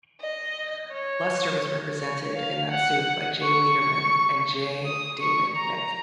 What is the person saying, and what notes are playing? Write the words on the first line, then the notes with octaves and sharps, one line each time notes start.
Luster was represented in that suit by Jay Leiderman and J. David Nick.
D#5
C#5
C#5
F5
F#5
C#6
D#6
C#6
A#5